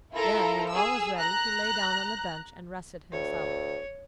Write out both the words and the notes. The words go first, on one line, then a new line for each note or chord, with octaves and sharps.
Then, when all was ready, he lay down on the bench and rested himself.
E4 F4 A4 A#4 A#5
G#4 E6
A#5 F#6
D2 C#5